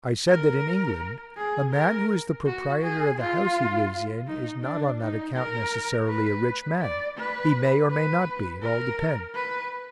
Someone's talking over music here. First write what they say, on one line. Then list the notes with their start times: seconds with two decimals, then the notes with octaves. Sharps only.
I said that in England a man who is the proprietor of the house he lives in is not on that account necessarily a rich man; he may or may not be, it all depends.
0.28 A#4
1.37 G#4
1.73 A#4
2.46 F#4
2.82 G#4
3.18 F4
4.27 D#4
4.63 D4
5.00 D#4
5.36 A#4
6.09 B4
6.81 D5
7.17 B4
7.90 B4
8.62 A#4
9.35 B4